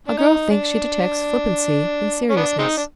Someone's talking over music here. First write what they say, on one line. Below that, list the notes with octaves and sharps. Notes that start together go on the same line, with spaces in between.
A girl thinks she detects flippancy in seriousness.
D4
D#4
D4
C#4
B3 D4
G#3 C4 D#4
D4